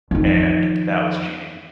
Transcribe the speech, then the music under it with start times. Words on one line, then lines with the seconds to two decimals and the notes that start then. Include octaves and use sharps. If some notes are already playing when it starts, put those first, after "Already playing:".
and that was cheating.
0.11 F2 D#3